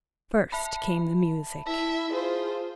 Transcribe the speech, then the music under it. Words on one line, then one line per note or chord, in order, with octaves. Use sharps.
First came the music.
E5 A5 B5
E4 E5 A5
F4 G#4 C5